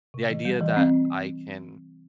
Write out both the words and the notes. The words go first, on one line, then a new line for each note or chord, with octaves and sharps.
The idea that I can
C3
E3
G3
E3
C4